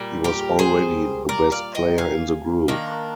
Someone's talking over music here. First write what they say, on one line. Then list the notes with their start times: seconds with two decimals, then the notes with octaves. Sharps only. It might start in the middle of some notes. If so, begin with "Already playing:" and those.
He was already the best player in the group.
Already playing: A#2 G3
0.24 G4 A#4
0.59 G#4 C5
1.29 A#4 D5
1.52 D5 F5
1.75 D#5 G5
1.98 F5 G#5
2.68 D#3 A#3 D4